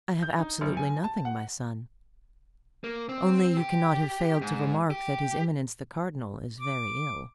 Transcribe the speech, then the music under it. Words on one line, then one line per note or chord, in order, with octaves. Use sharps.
"I have absolutely nothing, my son; only you cannot have failed to remark that his eminence the cardinal is very ill."
G6
D#4
F#1
G#5
A5
F#5
A#3
C4
G4
G#2
G4
D6